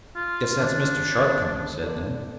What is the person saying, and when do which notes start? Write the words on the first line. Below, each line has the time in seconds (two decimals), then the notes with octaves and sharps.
"Guess that's Mr. Sharp coming," said Ned.
0.16 F4
0.59 D3 D#3 D4 C6
1.84 A4 D5